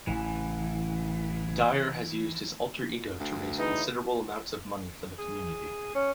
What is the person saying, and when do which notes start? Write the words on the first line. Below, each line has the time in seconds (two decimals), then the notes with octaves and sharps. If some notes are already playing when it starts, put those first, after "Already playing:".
Dyer has used his alter-ego to raise considerable amounts of money for the community.
0.07 A1 C#3 E3
3.20 D2
3.58 E2 E3 D#4
5.19 G#4
5.95 C#4